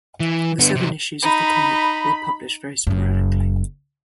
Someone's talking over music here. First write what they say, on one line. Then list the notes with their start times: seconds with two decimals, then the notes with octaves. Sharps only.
The seven issues of the comic were published very sporadically.
0.20 E3
0.59 D3 B3
0.76 C3 F#3
1.23 D#4 B5
2.87 F#1 F#2